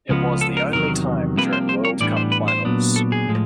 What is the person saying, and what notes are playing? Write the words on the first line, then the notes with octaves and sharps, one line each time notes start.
It was the only time during World Cup Finals.
C#2 C#3 F3 G#3 B3
A4
A#4
E2 C3 D#3 F#3 A#4
C2 C3 F3 A#3 D4 B4
C5
C5
C#5
A2 E3 G3 B3 D4 D5
C5
B4
C5
A#2 F#3 B3 D4
A4
G#4
A2 F3 G#3